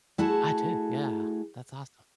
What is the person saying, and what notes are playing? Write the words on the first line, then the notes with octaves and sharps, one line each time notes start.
I do, yeah, that's awesome.
A3 E4 F#4 G#4 A5